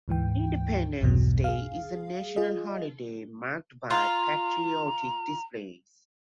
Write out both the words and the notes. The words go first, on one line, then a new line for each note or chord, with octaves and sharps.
Independence Day is a national holiday marked by patriotic displays.
D2 G#2 E3 G5
B1 E2 G2 B2 F#3
G#4 F5
F4 G#4 D#5
F4 A#5